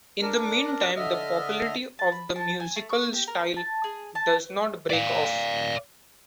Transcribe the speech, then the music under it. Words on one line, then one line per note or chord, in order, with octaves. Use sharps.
In the meantime, the popularity of the musical style does not break off.
D4 A#4
D3 D#5 E5 F6
A5
B5
A5
G#5
A3
C#6
G4
A#4
A5
G#4
A5
D5 F5